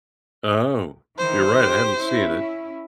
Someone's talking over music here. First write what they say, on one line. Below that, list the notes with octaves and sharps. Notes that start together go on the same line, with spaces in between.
Oh, you're right, I haven't seen it.
D#3 E3 C5
G4
C#4 E4